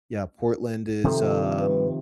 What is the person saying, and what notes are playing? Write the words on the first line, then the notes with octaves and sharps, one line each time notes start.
yeah, Portland is ,um
C3 D#3 F3 A4
B4